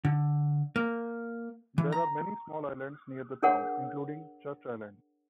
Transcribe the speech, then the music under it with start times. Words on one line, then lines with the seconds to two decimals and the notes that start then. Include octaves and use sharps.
There are many small islands near the town, including Church Island.
0.05 D3
0.76 A#3
1.78 E3
1.92 A#5
3.43 D4 G#4 A#4 C#5 F#5